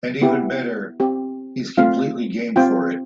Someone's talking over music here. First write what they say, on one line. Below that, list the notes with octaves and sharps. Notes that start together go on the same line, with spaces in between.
And even better, he's completely game for it.
B3 E4 G4
C4 G4
A3 C4 F4 F5
C4 F4 G5